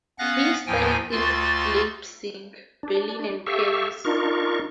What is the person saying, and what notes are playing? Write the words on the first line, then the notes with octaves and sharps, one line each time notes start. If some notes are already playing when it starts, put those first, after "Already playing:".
He studied in Leipzig, Berlin, and Paris.
B3 C#4 F5 F#5 F#6 A#6
D#2 A2 F3 G5 G#5
D2 F4 F#4 C6 A6
D4
G4 A4 E5 F5 C#6
D4 D#4 F4 A#4 C#6